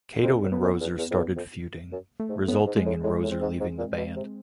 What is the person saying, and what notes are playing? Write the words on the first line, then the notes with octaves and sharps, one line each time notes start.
Kato and Roeser started feuding, resulting in Roeser leaving the band.
F2 C4
F#2
B3
F2
E2
E2
F2
E2
F2
F#2
A3
G#2
A2 B3
G#2
G#3
A2
A2 G#3
A2
C4
G#2
G#2
A#2
B2
C3